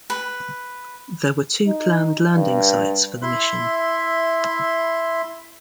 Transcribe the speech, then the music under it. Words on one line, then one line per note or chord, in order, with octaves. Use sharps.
There were two planned landing sites for the mission.
B4
D#4
G2
E4 E5 C6